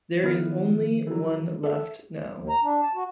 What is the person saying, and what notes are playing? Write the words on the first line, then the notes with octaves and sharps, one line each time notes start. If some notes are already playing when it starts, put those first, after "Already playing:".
There is only one left now.
D#3 F3 B3 E4 F6
E3 F#3
A4 E5
D#2
A#5
D4
A5
F#4